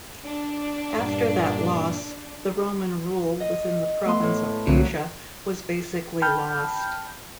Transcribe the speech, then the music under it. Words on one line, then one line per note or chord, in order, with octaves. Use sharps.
After that loss the Roman rule within the province of Asia was basically lost.
D4
G2 A#2
D#5
A3 B3 C6
A2
C2 A#2 D3 F#3 A3 C4
G5 A5 B5 F6 G6